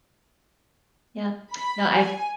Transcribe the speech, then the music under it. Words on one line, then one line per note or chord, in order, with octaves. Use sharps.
Yep. No, I've
B5
G#5